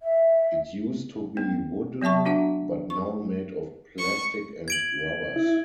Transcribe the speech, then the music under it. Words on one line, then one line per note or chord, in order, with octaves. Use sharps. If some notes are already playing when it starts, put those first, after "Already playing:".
It used to be wooden but now made of plastic and rubbers.
E5
B3
F#3 B3 E5 A5 C#6
D4 F#4 E5 F#5
C#6
C#6
G#6 D7 F#7
E4